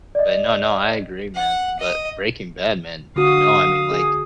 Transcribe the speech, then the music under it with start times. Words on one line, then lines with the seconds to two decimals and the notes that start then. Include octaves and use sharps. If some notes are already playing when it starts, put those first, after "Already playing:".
But no, no, I agree, man. But, Breaking Bad, man. No. I mean, like,
0.15 D5 D#5
1.35 F#5
1.80 D#5
3.16 D3 F#4 F5 D#6
3.91 G#4